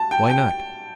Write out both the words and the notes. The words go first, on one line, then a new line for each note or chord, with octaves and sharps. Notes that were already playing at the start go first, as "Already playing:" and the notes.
Why not?
Already playing: A5
G5
G5